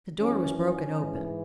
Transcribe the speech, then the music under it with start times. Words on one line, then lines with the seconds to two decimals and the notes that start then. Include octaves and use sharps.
The door was broken open.
0.20 F#2 E3 C#4
0.59 C#4
0.98 G#2 E3